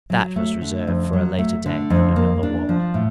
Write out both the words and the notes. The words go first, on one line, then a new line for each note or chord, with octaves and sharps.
That was reserved for a later day and another war.
F#3
A3
D3
F2
F#3
A3
D3
F2
A#3
D4
F3
A2